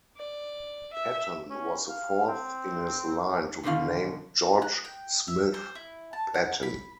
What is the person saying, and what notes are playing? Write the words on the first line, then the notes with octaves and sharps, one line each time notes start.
Patton was the fourth in his line to be named George Smith Patton.
D5
E5
C#4
F5
C4
G2 B2 D3 D#3 F5
F#6
G5
E5
C5
E4
A5
F#5
B5